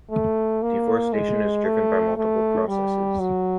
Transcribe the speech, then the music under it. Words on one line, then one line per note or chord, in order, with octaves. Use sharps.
Deforestation is driven by multiple processes.
A3
A#3
G#3
A3
A3
G3
F#3